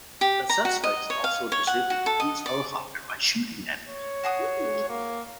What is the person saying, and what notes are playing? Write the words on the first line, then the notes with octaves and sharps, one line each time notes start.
The suspects also disabled a police helicopter by shooting at it.
G4
A#5
F#4
D#5
C#5
F5
C#5
F#5
F#4
A4
D#5
D5
C#5
F#4 G#4 D#6
A#3